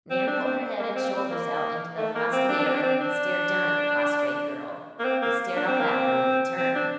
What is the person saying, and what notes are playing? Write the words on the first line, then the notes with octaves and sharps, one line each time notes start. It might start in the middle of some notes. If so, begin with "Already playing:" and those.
Nan put her head and shoulders out into the frosty air and stared down at the prostrate girl, who stared up at her in return.
C4
D4
C4
A#3
C4
C4
A#3
A3
A#3
C4
D4
D4
C4
D4
C4
D4
A#3
C4
A#3
D4
C4
A#3
C4
C4
D4